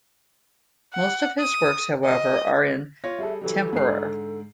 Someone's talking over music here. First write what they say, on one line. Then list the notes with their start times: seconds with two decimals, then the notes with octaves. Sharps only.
Most of his works, however, are in tempera.
0.95 F#5
1.40 D#6
2.05 D#5
3.04 F4 C#5 A#6
3.19 G3 G#4 A4 E5
3.41 E3 F#3 G3 A4
3.73 G#2 D3 C7